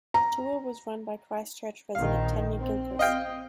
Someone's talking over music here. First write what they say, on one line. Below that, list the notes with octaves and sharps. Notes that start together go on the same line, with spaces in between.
The tour was run by Christchurch resident Tania Gilchrist.
A#5
A#1 A#2 D#3 F5
C4
D#5 F5 G5